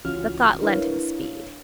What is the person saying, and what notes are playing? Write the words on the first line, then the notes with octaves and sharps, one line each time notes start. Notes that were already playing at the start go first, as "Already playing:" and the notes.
The thought lent him speed.
C#2 E3 C#4 F4 F#4 F6
D4 E4 A#4 B4 C#5 F5